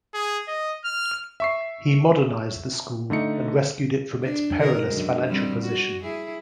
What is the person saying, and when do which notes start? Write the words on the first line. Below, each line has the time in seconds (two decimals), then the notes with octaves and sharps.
He modernised the school and rescued it from its perilous financial position.
0.14 G#4
0.48 D#5
0.85 F6
1.40 E5 C#6 C7
3.10 D3 A3 D#4 C#7
4.22 D4
4.58 B2 D#3 A#4
4.88 F#2 D3 G#3
5.27 F3 G3 C4
5.61 F#4
6.02 E4 G#4